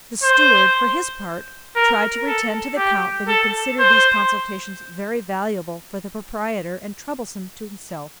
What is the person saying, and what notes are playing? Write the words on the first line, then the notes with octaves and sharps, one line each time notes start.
The steward for his part tried to pretend to the count that he considered these consultations very valuable for the proprietor and troublesome to himself.
C5
A#4
A4
G4
A4
C5